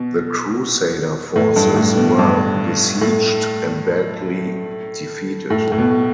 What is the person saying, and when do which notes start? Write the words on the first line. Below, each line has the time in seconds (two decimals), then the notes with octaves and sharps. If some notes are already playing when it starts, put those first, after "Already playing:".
The crusader forces were besieged and badly defeated.
Already playing: B2
1.36 A2
1.56 G2
1.76 A2
1.97 B2
2.19 G2
3.01 A2
5.50 A2
5.72 A2
5.78 B2